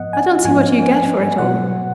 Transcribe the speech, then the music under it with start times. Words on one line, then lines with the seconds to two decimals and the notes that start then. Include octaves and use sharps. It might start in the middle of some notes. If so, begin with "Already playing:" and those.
"I don't see what you get for it all."
Already playing: G#2 F3 B3 D#5 F#5
0.13 G#5
0.45 G#2 F3 B3 G#5
0.92 G#5
1.38 B2 F#3 B3 F#5